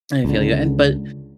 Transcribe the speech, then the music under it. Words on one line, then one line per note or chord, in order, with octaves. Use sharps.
I feel you, and but,
C#2 D3